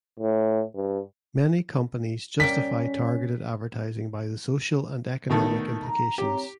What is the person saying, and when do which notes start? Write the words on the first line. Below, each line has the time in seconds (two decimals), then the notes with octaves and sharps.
Many companies justify targeted advertising by the social and economic implications.
0.20 A2
0.76 G2
2.40 G3 A#3 C#4 G5 B6
5.29 A1 D2 B2 D#3 A3
5.83 A#5
6.18 C4 G4 C#5 A#5